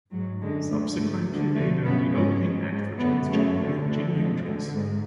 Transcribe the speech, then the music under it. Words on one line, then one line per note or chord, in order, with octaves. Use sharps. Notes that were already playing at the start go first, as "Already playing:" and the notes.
Subsequently, they were the opening act for Janis Joplin and Jimi Hendrix.
G#2 F#3
F#2 D3 G#3
D2 D3 A3
G#2 A3
D2
D3
F2 D3 A3
F#2 C#3 B3
G#2 C#4
G#2
G#2
F#2 D3 B3
F#2 C#3 A3
D2 D3
D2 D3
F2 D3 G#3
D2 D3
G#2